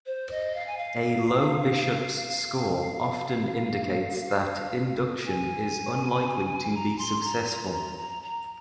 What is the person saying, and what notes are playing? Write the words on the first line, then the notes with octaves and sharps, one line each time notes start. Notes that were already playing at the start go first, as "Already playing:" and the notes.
A low Bishop's score often indicates that induction is unlikely to be successful.
C5
D#5
F5
G#5
F5
F5
G#5
A#5
C6
A#5
A#5
A#5
A#5
A#5